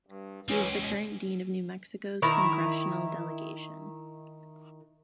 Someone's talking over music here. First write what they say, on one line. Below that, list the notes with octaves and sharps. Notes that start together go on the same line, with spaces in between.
He is the current dean of New Mexico's Congressional Delegation.
G2
C#2 F#2 E3 C#4
B2
D#3 E4 A#5